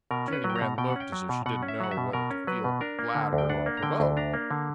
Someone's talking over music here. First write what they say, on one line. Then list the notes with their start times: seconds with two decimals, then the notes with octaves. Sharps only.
Jenny Wren looked as if she didn't know whether to feel flattered or provoked.
0.11 B2 A#4
0.28 C#4 B4
0.44 F#3
0.50 G5
0.56 A#5
0.61 B2
0.78 B2 G5
0.90 F#5
0.96 C#4 G5
1.12 F#3
1.29 B2
1.46 B2 F#5
1.63 C#4
1.68 E5
1.80 F#3 F#5
1.91 E5
1.97 B2
2.13 B2 A#4
2.31 C#4
2.47 F#3 B4
2.64 B2
2.81 D4 A#4
2.99 A#3
3.15 D3
3.33 D2
3.38 G5
3.49 D4 F#5
3.66 A#3
3.77 A#5
3.83 D3 G5
4.00 D2
4.17 D4 A#5
4.34 A#3
4.51 D3